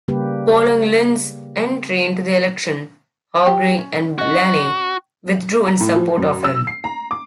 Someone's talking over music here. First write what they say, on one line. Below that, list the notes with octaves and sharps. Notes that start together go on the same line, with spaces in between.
Following Lynch's entry into the election, Haughey and Blaney withdrew in support of him.
C#3 G3 A#3 G4 B4
G4
C#4
C#4 F#4 D#5
A#5
A2
F3
F#2
E6
C7
A#5
D6